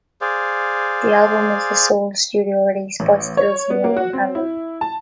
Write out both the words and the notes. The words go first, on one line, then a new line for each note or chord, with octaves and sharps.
The album is the sole studio release by Stills and Young in tandem.
G#4 C5 D5 F5
A1
C#5
B3
A#3
F#4
C4
E4
A5